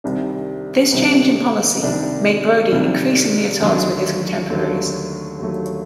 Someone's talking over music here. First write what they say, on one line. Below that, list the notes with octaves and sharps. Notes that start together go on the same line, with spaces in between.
This change in policy made Brodie increasingly at odds with his contemporaries.
C2 C3 D#3 G3 D4
C2 C3 D#3 G3 D4
C2 C3 D#3 G3 D4
C2 C3 D#3 G3 D4
D#2 D3 F#3 A3
D#2 D3 F#3 A3
D#2 D3 F#3 A3